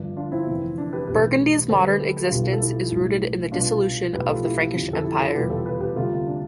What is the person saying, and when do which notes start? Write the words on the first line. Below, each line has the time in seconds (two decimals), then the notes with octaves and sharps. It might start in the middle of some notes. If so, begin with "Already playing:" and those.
Burgundy's modern existence is rooted in the dissolution of the Frankish Empire.
Already playing: G1 G2 F3
0.16 D4 F4
0.32 C4 E4
0.47 F1 F2 E3
0.78 D4
0.93 G4 B4
1.07 B1 A2 E3 G4 B4
1.69 D2 D3 G3 A4 C5
1.84 G4 B4
2.00 A4
2.12 G4
2.24 F4 A4
2.30 B1 B2 G3
2.53 A4
2.60 E4 G4
2.91 B1 A2 G3
3.52 C2 B2 G3 D4 F4
4.13 B1 A2 F3 G4 B4
4.28 F4 A4
4.43 E4 G4
4.74 G1 F2 C3
4.93 A4
5.04 E4 G4
5.20 F4 A4
5.34 F1 E2 B2 G3 G4 B4
5.50 F4 A4
5.65 G4 B4
5.81 G4 B4
5.96 D2 C3 G3 F4 A4
6.27 D4